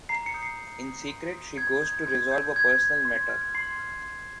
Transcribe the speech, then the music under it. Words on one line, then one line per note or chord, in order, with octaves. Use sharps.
In secret, she goes to resolve a personal matter.
A#5 C7
C#7
D#6 G6
C7
A#5
D#6 G6
C6
D#6 G6
C6 G#6
D#6 G6
C6 G#6
G6
C6 G#6
G6
C6
F6
C6 C7
F6
C6